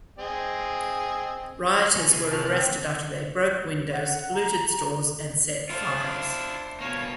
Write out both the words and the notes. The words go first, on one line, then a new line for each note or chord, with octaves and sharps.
Rioters were arrested after they broke windows, looted stores and set fires.
C4 G#4 D#5
C3 F3 A#3 C#5 G#5
E4 G#4
E2 E4 F4 C#5 A5 F6 F#6
A#3 C4
F#5
A#5
D4 E4 F4 C5
B2 A#3 C#5